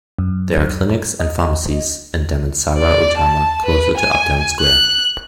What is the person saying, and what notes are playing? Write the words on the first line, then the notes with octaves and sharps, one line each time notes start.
There are clinics and pharmacies in Damansara Utama closer to Uptown square.
F#2
D#5
D5
A5
B4
G#5
F#6